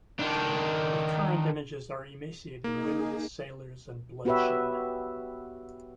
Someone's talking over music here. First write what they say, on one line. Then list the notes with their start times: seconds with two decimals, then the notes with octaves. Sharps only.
Recurrent images are emaciated women, sailors and bloodshed.
0.19 D#3 D4
2.64 A#3 D#4 G#4
4.25 B3 F#4 G4 B4 C#5 E5